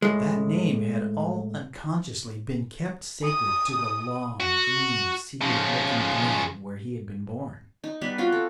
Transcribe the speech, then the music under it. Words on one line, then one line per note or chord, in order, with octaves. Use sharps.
That name had all unconsciously been kept sacred to the long, green, seaward-looking glen where he had been born.
A2 G#3
D#6
F#4
C#3 F3
D#4
G3 B3 B4 D5
C4 F4 F#4 F5
A4